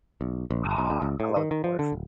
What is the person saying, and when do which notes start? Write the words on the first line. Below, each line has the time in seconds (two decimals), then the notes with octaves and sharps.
Ah, I love The Boys.
0.21 B1
0.51 A#1
0.65 G1
0.78 B1
0.90 D2
1.02 C#2
1.20 A2
1.36 D#3
1.51 D#3
1.64 F3
1.79 D3
1.92 D1